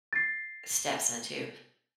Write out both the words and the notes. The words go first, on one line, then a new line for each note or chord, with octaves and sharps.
stepson too,
A6 C7